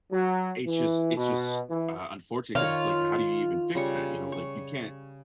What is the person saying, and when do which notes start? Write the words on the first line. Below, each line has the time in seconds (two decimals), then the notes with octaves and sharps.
it's just it's just, uh, unfortunate 'cause it's like, how do you even fix that? You know? Like, you can't
0.11 F#3
0.66 E3
1.16 B2
1.69 E3
2.55 D#3 F4 C#5
3.75 C#3 G3 C#6
4.32 C#6